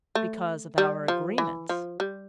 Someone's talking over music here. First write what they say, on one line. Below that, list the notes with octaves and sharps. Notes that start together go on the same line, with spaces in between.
"Because of our agreement."
A3
G3
F3
E3
F3
G3